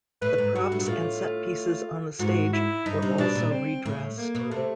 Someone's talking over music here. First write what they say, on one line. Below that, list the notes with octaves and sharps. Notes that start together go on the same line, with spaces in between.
The props and set pieces on the stage were also redressed.
A2 B4
G#2
G2 F#4
A2
A#2
A2 F4
F4
G#2 F#4
E4
G2 D#4
C3
B2 D4
A#2
C4
A2
A#3
B2
C3 A3